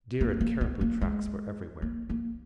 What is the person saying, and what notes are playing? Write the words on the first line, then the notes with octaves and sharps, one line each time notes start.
Deer and caribou tracks were everywhere.
A#3
A#3
B3
A#3
G#3
A#3
A#3